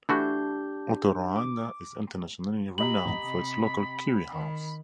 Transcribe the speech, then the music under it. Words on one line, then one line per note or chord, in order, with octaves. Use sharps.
Otorohanga is internationally renowned for its local Kiwi House.
E3 A3 D4 F#4 G4 G6
D6
G4 D#5 A#5 B5 F#7
C3
D#3